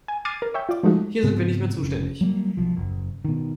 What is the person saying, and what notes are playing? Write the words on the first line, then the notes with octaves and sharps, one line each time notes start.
Hier sind wir nicht mehr zuständig.
G#5
D6 F6 G#6 A6 C7 D#7
A#4
C#5 E5 G5
F4 D5
F3 G#3 A3 D#4 F#4
G#2 C#3 B3 C4
F1 C#3
F#3 G3 A#3
B1 F3
F#1
B2 D#3